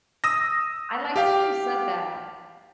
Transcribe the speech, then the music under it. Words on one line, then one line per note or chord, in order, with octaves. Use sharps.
I like that you said that.
D#6 E6 A#6
G4 F5 G5